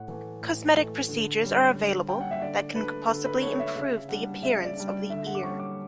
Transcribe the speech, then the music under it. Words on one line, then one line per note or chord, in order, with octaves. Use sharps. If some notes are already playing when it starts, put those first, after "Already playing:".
Cosmetic procedures are available that can possibly improve the appearance of the ear.
Already playing: A2 F#5
E3 A3
A2
E3 A3
D3
G3 C#4
D3
G3 C#4 G5
F#5
E5
D3 D5
A3 D4 B4
D3 A4
B4
A3 D4 C#5
E5
C#3 E5
G3 D4 F#5
C#3 E5
D5
G3 D4
D5
D3 E5
F#5
D6
G3 C#4 C#6
D6